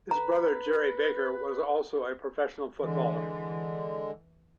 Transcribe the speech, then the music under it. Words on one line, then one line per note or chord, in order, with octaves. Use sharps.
His brother Gerry Baker was also a professional footballer.
B4 A#5
D3 E3 G#3